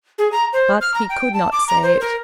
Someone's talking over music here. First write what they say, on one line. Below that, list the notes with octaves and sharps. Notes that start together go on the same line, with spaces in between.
But he could not say it.
G#4
A#5
C5
F6
A#5
G5
A5
D6
A#5
C5
A#4